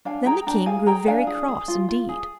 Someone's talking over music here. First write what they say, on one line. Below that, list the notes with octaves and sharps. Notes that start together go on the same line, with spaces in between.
Then the king grew very cross indeed.
D4 F5 G#5
G#4 G5 A#5
D4 G5 A#5
G#4 F5 G#5
G#4 G5 A#5
D4 F5 G#5
G#4
G#4
F4
F4
G#4